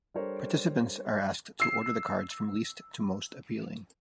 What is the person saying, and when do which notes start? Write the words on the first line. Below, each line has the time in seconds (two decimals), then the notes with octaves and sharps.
Participants are asked to order the cards from least to most appealing.
0.14 G3 D4 A4 A#4 C5 C#5
1.60 E6 C7